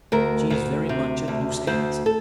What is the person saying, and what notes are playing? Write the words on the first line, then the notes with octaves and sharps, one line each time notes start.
She is very much at loose ends.
D2 A#4
D2
C3
D2
D2 C5
A4